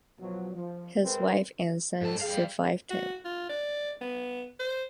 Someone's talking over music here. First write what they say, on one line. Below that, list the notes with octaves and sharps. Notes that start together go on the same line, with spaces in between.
His wife and sons survived him.
B2 F3 F#3
F3
C3 G#3 C4 A#4 B4
G#2 A4 A5
G3 G#4 F5
F#4
F4
D5
B3
C5